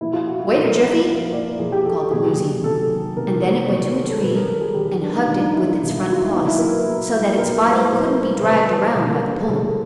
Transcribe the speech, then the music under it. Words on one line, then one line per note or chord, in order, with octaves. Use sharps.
"Wait a jiffy," called the Woozy, and then it went to a tree and hugged it with its front paws, so that its body couldn't be dragged around by the pull.
A#2 F3 A#3 E4
F4
F#4
F#4
A4
A#2 F3 A#3 A#4
A#2 F3 A#3
D5
A#2 F3 A#3 G#4
G4
A4
G#4
C3 D#3 F#3 A#3 G#4
G4
G#4
C3 D#3 F#3 A#3 A4
C3 D#3 F#3 A#3 A#4
C5
D5
C3 D#3 F#3 A#3 C#5
C#5
A4
D#3 G3 B3 B4
A#4
A4
G#4
D#3 G3 B3 G4
G4
D4
D#4
D#3 G3 B3
D4
D#4
E4
F4
D#3 G3 B3
F#4
F4
E4
A#2 F#3 B3 D#4
E4
A#4
B4
A#2 F#3 B3
A#2 F#3 B3 A#4
B4
C5
B4
C5
A#2 F#3 B3 B4
C5
B4
C5
B4
C5
B4
D3 G3 A#3 C5
B4
C5
B4
C5
B4
D3 G3 A#3 A#4
G#4
D3 G3 A#3 A4